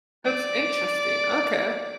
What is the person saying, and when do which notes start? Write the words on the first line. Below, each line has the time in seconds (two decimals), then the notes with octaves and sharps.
That's interesting, okay.
0.25 D5 D6